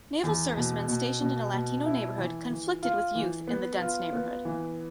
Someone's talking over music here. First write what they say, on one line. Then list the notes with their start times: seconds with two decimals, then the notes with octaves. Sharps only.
Naval servicemen stationed in a Latino neighborhood conflicted with youth in the dense neighborhood.
0.23 E2
0.57 B2
0.88 B2
1.21 B2
1.53 B2
1.86 E4
2.18 E3
2.50 E3
2.83 F4
3.15 E3
3.47 B3
3.80 F4
4.13 B3
4.45 E3